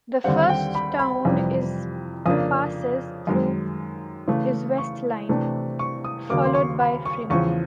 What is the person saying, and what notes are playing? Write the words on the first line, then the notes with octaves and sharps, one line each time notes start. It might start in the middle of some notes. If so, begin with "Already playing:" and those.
The first town is passes through is West Line, followed by Freeman.
D#2 D3 G3 C4 F#5
G5
B5
B5
F2 C3 E3 G3
F2 C#3 F3 A#3 D4 D#6
F#2 D#3 G#3
C#3 E3 A3
C#6
C3 E3 A3 D4
C#6
D#6
D#2 C#3 F#3 A#3 D6
C6
C#6
B5
C#6
E2 C#3 F3 C#6